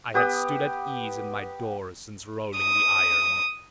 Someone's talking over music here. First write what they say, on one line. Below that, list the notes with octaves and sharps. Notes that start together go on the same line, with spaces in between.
I had stood at ease in my door since rolling the iron.
B3 G4 B4 D#6
D#6